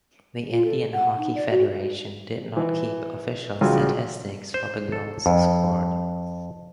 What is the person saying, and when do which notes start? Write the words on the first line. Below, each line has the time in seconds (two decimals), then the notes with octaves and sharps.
The Indian Hockey Federation did not keep official statistics for the goals scored.
0.51 F4
0.64 A4
0.93 F#5
1.17 D#4
1.35 D5
1.50 F#4
2.57 E3
3.61 A1 C#3 F#3 F4 C6 E6
4.54 C5
4.92 A4
5.26 F2